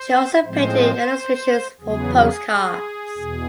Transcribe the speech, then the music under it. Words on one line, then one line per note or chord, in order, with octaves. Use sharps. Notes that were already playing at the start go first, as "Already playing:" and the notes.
She also painted illustrations for postcards.
Already playing: C5
A2 F3 G#3 C4 C5
E2 C#3 F#3 B3 G#4
G#4
G#4
E2 B2